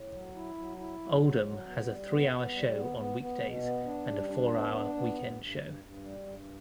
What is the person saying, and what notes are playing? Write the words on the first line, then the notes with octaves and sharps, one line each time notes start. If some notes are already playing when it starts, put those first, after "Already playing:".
Oldham has a three-hour show on weekdays and a four-hour weekend show.
Already playing: A2
F#3
E4
F#3
E4
F#3
A2
F#3
B3
G3
B3
B3
G3
B3
B3
B3
B2
B3
D4
G3
D4
B3
D4
B3
G2
G2
G2
G2
G3
G2